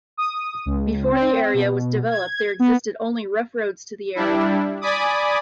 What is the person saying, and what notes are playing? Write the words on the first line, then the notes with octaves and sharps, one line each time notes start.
Before the area was developed, there existed only rough roads to the area.
D#6
C#2
C4
B2
G#6
B3
G3 D4 E4
D5 G#5 B5 D6 D#6